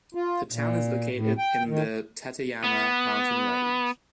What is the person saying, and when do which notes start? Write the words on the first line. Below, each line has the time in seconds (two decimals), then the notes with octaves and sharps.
The town is located in the Tateyama Mountain Range.
0.15 F4
0.52 A#2
1.14 A2
1.38 G5
1.68 D#3
2.64 B3